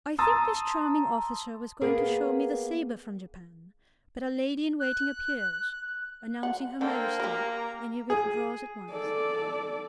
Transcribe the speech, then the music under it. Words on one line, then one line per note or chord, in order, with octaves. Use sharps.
I think this charming officer was going to show me the sabre from Japan, but a lady-in-waiting appears, announcing Her Majesty, and he withdraws at once.
A5 A#5 C6 D#6 E6 A6
A#3 B3 G#4 A#4 B4
F#6
F#5
D3 A#3 A4 C5 G5
G4 A#4 A#5
G#4
A4 D5